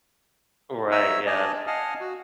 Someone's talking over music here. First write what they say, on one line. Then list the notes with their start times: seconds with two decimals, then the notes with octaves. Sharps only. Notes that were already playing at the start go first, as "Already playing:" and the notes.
Right, yeah.
0.91 C#5 E5 A#5 E6
1.27 D4 D5 D#5 G#5 A5
1.67 D#5 F5 F#5 G#5 A5 F6
2.00 F#4